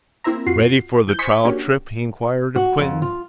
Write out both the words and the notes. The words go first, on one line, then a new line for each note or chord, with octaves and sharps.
"Ready for the trial trip?" he enquired of Quinton.
A#3 C4 E4 C5 E5 A#5
F2 F4 F#4 C7
E3 G6
C5 D#5 G#5 C#6 B6
A#3 C#4 D4 F#4 G4
F#4
F2
F4